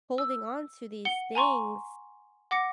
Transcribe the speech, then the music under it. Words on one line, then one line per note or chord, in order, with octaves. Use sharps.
holding onto these things
E6
F#5 C#7 G7
G#5 A#5 C6 C#6
F#5 D6 A#6 C#7